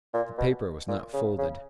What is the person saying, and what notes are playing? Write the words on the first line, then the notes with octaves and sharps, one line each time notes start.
The paper was not folded.
A#2
B2
A#2
C#3
C#3